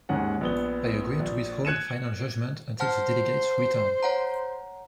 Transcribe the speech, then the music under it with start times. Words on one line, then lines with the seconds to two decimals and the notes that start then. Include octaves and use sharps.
I agreed to withhold final judgment until the delegates returned.
0.09 D#2 G#2 C#4 F#5
0.41 A#1 B3 G7
1.20 A#1
1.65 F#6 G#6 C#7 D#7 E7
2.80 C5 F#5 A5 F6
4.03 C#5 F#5 A#5